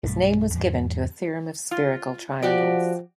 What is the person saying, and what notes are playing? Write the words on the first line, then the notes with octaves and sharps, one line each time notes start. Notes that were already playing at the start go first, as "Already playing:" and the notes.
His name was given to a theorem of spherical triangles.
B1 G2 A3
E2 G#2
F4
F3 F#4 G4 D5